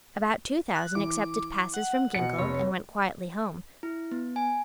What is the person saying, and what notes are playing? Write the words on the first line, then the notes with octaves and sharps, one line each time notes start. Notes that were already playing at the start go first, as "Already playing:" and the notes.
About two thousand accepted passes from Ginkell, and went quietly home.
F#6
E3 D6
F#5
B2 C#7
F1 C#5
E4
B3
G#5